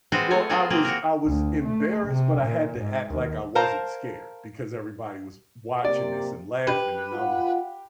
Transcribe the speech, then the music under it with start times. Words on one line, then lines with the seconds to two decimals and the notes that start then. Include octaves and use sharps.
Well, I was I was embarrassed, but I had to act like I wasn't scared because everybody was watching this, and laughing, and I'm
0.12 G#3 C4 F4 F#4 B4 C5
0.31 A3 C#5
0.49 F#3 B3 C4 F4 G#4
0.70 A#3 C4 G4 G#4
0.85 F#4 A#4
1.26 D2
1.64 A3
2.07 C3
2.42 A#2
2.78 G#2
3.11 D#2
3.55 A#4 C5 F5 A5 A#5
5.85 C3 A#3 G4 D5
6.67 G4 B4
7.13 F4 F#5